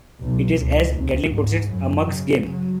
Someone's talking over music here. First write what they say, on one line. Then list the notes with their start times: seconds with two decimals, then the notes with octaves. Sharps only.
It is, as Gadling puts it, a mug's game.
0.19 B1
0.54 C#2
0.89 D#2
1.26 G#2
1.67 F#2
2.08 C#3
2.49 F#3